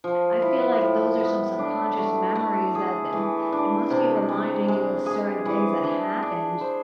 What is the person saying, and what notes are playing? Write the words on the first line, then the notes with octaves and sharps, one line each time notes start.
I feel like those are some subconscious memories that then it must be reminding you of certain things that happened
F3
E4
A2
B3
D4
A3
A3
G#4
E3
D4
C3
G#3
G#3
G#4
E3
D4
D4
C5